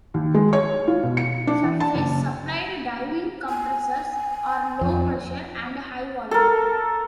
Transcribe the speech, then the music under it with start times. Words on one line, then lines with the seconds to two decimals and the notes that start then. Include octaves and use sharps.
Surface supplied diving compressors are low-pressure and high-volume.
0.14 D#2
0.34 G#3
0.53 C#5
0.88 F4
1.03 B2
1.17 C#7
1.47 D4
1.62 E3
1.80 A5
1.95 F#1
3.49 G#5
4.82 F2
6.31 A4 A#4